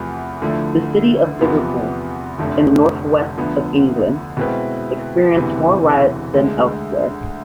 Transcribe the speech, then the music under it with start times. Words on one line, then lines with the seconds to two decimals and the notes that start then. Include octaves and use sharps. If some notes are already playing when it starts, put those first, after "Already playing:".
The city of Liverpool, in the northwest of England, experienced more riots than elsewhere.
Already playing: E2 C3 F3 A3
0.41 D2 D3 F3 A3 E4
1.39 E2 C3 F3 B3 F4
2.38 F1 F2 D3 A3
3.38 D2 D3 F3 B3
4.37 B2 G#3 C4 E4 B4
5.35 E1 D2 C3 E3 B3
6.34 D2 D3 G#3